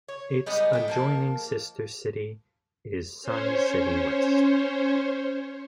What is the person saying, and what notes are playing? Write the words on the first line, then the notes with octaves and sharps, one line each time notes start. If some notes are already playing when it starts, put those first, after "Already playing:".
Its adjoining sister city is Sun City West.
C#5
G3 G#3 B3 D#4
A3 G5
F3 A#3 A5
C#4 C5 C#5